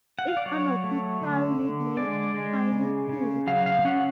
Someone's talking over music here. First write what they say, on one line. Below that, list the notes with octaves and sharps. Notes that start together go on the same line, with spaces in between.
Its unofficial nickname is "Shiny Two".
F#5
F5
D5
F#3 C#5
A3
D3
D3
G#3 D5
G#3
C#3
C#3
F#3 F5
F5
C#4 F#5